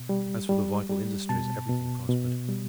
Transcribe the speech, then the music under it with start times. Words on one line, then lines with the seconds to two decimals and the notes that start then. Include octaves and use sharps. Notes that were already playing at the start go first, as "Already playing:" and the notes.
As for the vital industries, everything prospered.
Already playing: B2
0.09 G3
0.49 G3
0.89 G3
1.29 B2 A5
1.69 B2
2.09 B2
2.49 G3